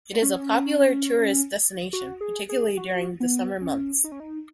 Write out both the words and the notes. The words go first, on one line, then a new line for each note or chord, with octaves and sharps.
It is a popular tourist destination, particularly during the summer months.
C#4
F#4
G#4
G#4
F#4
B3
C#4
D#4
C#4
D#4